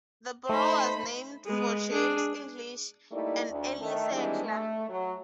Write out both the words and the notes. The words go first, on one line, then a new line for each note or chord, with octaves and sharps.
The borough was named for James English, an early settler.
A3 D#4 C5 B5
G#3 B3
D4 G#4
G3 A3 A#3 D#4 E4 D5
D2
D#3 A3
D#3 E3 G3 G#3 C4 D4
A3
F#3